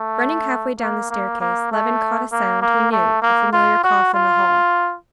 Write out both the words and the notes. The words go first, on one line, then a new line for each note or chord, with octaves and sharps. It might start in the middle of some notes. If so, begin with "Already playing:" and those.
Running halfway down the staircase, Levin caught a sound he knew, a familiar cough in the hall.
Already playing: A3
A#3
A#3
A#3
A3
A#3
A#3
A3
A#3
F4
F#4
F4